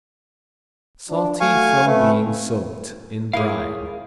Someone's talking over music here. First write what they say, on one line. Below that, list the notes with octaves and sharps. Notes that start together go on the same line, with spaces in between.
Salty from being soaked in brine.
F3 D4
A3 F#4 F5 G#5 C#6
A3 C4 B4
E4 F4 G#4 A#4 C#5 F5